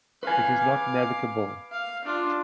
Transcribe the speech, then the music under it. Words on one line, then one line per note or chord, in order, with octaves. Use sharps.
It is not navigable.
B4 F5 G#5
F5 D6
F5
D4 F4